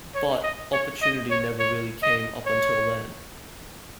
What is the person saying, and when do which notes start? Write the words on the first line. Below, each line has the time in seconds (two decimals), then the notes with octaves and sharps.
But, opportunity never really came up-until then.
0.15 C#5
0.43 D#5
0.73 C#5
1.02 D#5
1.30 C#5
1.59 C#5
2.03 D#5
2.46 C#5